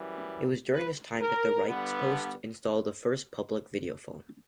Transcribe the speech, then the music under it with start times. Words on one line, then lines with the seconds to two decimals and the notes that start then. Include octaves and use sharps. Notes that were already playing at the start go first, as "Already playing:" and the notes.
It was during this time that the Reichspost installed the first public videophone.
Already playing: F#2 E3 G3
0.73 B4
1.21 A#4
1.67 G2 D3 G3 B3